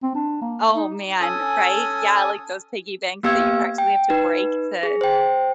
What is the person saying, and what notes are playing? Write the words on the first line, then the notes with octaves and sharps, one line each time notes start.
Oh, man, right? Yeah, like, those piggy banks that you practically have to break to
C4
D4
A#3
D#4
C#4 A4 G#5 D#6
A#3 B3 G4 F5 E6 G#6
G5
D#4 B4
G#4
C5 G5